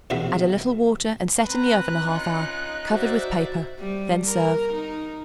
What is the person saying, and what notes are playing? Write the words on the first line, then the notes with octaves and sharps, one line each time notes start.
Add a little water and set in the oven a half hour, covered with paper; then serve.
A#1 E2 C3 F#4 E5 F5
C4 B4 A#5 F#6
C#4 D#4 F4
F#4 C5 D5 E5
G3
A#4
D#4